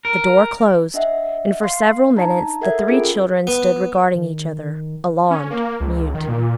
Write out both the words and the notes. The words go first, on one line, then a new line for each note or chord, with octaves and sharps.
The door closed, and for several minutes the three children stood regarding each other, alarmed, mute.
A#4
D4 D#5 E5 F#5
F5 C6 C7
D4 D#4 A5 A#5
A4 A#4 E5 F#5 G#6
C#4 F4 G#4 A#4 D7
B3
D#3
C#4
A#3
C#2
D#3
A#2